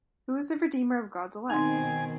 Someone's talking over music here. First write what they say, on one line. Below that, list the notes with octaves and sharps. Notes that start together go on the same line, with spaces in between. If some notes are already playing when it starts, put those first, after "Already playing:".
Who is the Redeemer of God’s elect?
B2 D#3 C4 D#4 G#5 C6